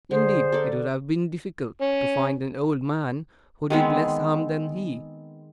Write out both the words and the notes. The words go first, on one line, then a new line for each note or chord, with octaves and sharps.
Indeed it would have been difficult to find an old man who did less harm than he.
D3 G#4 C5
A4 A#4 D5
C#4
D#3 G#3 B3 C4